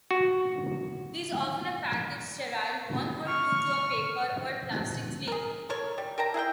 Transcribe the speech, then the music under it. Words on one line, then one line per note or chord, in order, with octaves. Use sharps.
These often are packaged sterile, one or two to a paper or plastic sleeve.
F#4
C#6 F6
G#4 A#4
A4 A#4 C#5
G3
A#4 G5 A5 A#5
E4 G#4 F#5 G5